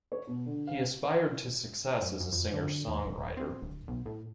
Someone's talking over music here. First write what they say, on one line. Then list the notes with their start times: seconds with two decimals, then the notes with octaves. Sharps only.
He aspired to success as a singer-songwriter.
0.12 C#5
0.27 B2
0.46 D3
0.67 F5
2.02 F#2
2.20 F#2
2.32 F2
2.54 D3
2.88 D#2
3.04 D#1
3.37 C4
3.62 D1
3.88 B1
4.06 A2